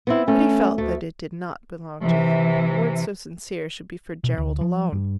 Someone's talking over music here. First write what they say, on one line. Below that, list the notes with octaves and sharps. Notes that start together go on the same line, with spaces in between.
But he felt that it did not belong to him: words so sincere should be for Gerald alone.
B3 C4 E4
A3 C#4
D2 A3
C3 E3
B2
D2
F3
G2